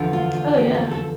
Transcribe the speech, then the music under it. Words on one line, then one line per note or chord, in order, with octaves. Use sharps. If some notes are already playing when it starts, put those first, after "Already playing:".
Oh, yeah.
Already playing: E2 D3 F3
F4
F4
G4
A4
A4